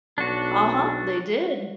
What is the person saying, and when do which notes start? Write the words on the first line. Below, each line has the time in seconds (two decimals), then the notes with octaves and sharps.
Uh-huh, they did.
0.18 B1 D4 F#4